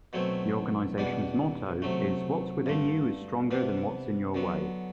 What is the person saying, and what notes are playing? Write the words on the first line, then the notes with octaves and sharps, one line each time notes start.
The organization's motto is What's Within You Is Stronger Than What's In Your Way!
B2 F#3 A3 C4 E4
E2 B2 G3 B3 D4
C3 F#3 A3
G2 D3 A3
C3 E3 B3 D4
D3 F#3 B3